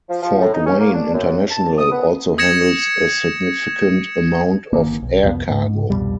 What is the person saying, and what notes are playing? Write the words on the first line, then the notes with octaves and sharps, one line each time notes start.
Fort Wayne International also handles a significant amount of air cargo.
F3
F3
A2
D#4
C#4
A#3
D4
F#2
A5
D#6
B3
D#6 G#6 A#6 C#7 E7
G1 D#3 A#3
B1
C2 F2 F3 B3
G#2
C2 F2 B2 G3